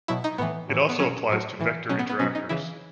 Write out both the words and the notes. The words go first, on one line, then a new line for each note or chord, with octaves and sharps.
It also applies to vector interactors.
B2 F#3 E4
D#4
A2 E3 B3
A2 E3
B3
B2 F#3 C#4
A2 F#3
A2 E3
B2 F#3 C#4
B3
B3
B2 F#3 C#4
D#4
C#3 E3 E4